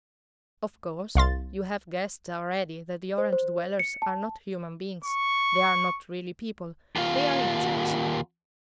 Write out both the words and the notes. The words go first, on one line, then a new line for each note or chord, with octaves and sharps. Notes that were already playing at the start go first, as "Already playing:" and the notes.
Of course, you have guessed already that the Orange-dwellers are not human beings; they are not really people; they are insects.
C2 F5 C6 A6
C5
C5
C#7
A5
C#6
D#2 F4